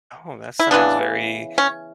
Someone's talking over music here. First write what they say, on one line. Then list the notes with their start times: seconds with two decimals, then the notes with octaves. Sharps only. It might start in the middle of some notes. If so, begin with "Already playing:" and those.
Oh, that sounds very,
0.59 E4
0.71 C#3 E3 B3 D4
1.58 C#4